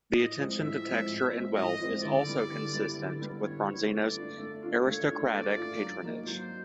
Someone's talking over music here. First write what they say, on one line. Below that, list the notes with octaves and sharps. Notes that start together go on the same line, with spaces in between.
The attention to texture and wealth is also consistent with Bronzino's aristocratic patronage.
A2 D#5
F3 G#3 C4
A2 E5
F3 G#3 C4
A2
F3 G#3 C4
A2 D#5
F3 G#3 C4
D3 D5
G3 B3 E4
D3
G3 B3 E4
D3
G3 B3 E4
D3 C#5
G3 B3 E4
A3 D5
D4 F4
A3
D4 F4
A3 C#5
D4 F4
A3 D5
D4 F4
F#3
A#3 D#4
F#3 C5